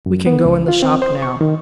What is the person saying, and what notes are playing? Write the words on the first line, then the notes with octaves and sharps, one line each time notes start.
"We can go in the shop, now."
F#2
B3
C#2
F4
C4
C5
C#6
D#3